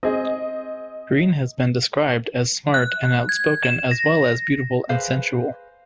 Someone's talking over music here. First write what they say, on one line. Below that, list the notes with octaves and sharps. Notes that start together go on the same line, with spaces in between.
Greene has been described as smart and outspoken as well as beautiful and sensual.
C4 G#4 D#5
F#6
G#6
E7
A#6
G#4 B4 C5 F5